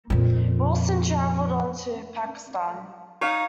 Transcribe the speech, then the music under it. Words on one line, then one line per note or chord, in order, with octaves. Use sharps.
Wilson travelled on to Pakistan.
F2 A#2
D#4 C#5 F5